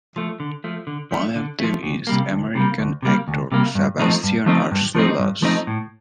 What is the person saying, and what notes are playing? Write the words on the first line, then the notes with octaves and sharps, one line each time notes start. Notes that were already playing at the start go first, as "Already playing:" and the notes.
One of them is American actor Sebastian Arcelus.
F3 A3
D3
F3 A3
D3
F3 A3
D3
F3 A3
D2
C3 G3 A#3
D2
C3 G3 A#3
D2
C3 G3 A#3
D2
C3 G3 A#3
G2
F3 A3 C4 D#4
G2
F3 A3 C4 D#4
G2
F3 A3 C4 D#4
G2
F3 A3 C4 D#4
A2